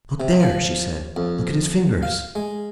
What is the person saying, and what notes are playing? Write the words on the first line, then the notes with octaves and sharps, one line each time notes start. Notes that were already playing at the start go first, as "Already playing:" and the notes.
"Look there!" she said; "look at his fingers!"
C3
F3
F2
F5
G#3